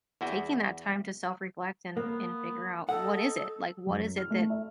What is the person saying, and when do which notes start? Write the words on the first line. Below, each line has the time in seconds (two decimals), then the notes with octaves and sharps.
taking that time to self-reflect and and figure out what is it, like, what is it that
0.21 E2 E4 F#4 G#4 G5
1.97 A#3 B3
2.89 D#4 A4 F#5
3.86 F#2
4.17 F6
4.31 A3
4.50 E5